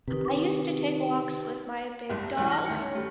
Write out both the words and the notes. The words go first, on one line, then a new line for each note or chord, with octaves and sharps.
I used to take walks with my big dog,
C3 D#3 D#4 G4 B4
F#1 C2 G#2
E2 G#2 B2 E3
F6 A#6 F#7
D2 D#3 C#7
C#4
G3 A3